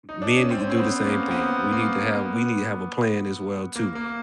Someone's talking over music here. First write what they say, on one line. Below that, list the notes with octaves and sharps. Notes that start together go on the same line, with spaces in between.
Men need to do the same thing. We need to have we need to have a plan as well too,
D#4
D4
C#4
C4
C#4
C4
B3
A#3
C4
B3
A#3
B3
A#3
A#3